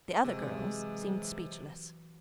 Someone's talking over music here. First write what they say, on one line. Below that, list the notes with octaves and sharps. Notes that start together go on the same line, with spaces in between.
The other girls seemed speechless.
C3 E3 F#3 G#3